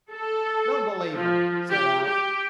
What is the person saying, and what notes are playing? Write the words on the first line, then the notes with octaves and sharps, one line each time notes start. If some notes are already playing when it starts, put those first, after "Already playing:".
"Don't believe 'em," said Alf.
A4
F3
G4
G4